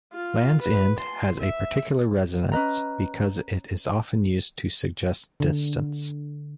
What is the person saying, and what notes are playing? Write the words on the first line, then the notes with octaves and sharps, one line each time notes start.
Land's End has a particular resonance because it is often used to suggest distance.
F4
B4
C6
E5
C#4 B4 D#5 A#5
D3